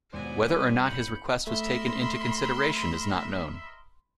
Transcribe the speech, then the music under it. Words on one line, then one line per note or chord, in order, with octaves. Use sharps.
Whether or not his request was taken into consideration is not known.
D#2 G#2 B2 F#3 B3 C5 D5 G#5
G2
F#1 B5 G6 C#7
A3 A#4 D#5 E5 B5 C6